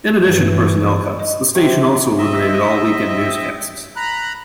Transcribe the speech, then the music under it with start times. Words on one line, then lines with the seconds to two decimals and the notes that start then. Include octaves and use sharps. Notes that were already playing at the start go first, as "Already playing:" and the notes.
In addition to personnel cuts, the station also eliminated all weekend newscasts.
0.23 G2 E3
1.19 D#5
1.55 C3 F#4
2.18 C4 D#5 E5
3.96 A#5 B5 F#6